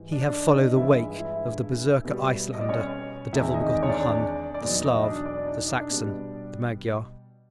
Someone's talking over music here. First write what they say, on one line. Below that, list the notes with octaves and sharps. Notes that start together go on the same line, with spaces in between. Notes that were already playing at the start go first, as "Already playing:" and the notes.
He have follow the wake of the berserker Icelander, the devil-begotten Hun, the Slav, the Saxon, the Magyar.
Already playing: G#2 E3 G3
D4 D5
D4 D5
D#4 D#5
G2 E3 G#3 E4 E5
E4 E5
E4 E5
B2 G3
D#5
D5
C#4 C#5
E2 C3 D#3 G#3 E4 E5
D#4 D#5
D5
C#5
D4 D5
D5
E2 B2 F#3 D#4 D#5
D#4 D#5
D4 D5
D4 D5
D#4 D#5
D4 D5
B2 G3